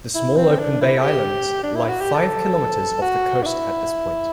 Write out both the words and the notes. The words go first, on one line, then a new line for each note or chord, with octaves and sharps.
The small Open Bay Islands lie five kilometres off the coast at this point.
E4
C4
D4
E4
A4
G4
D4
E4
F#4
G4
A4
F#4
D4
E4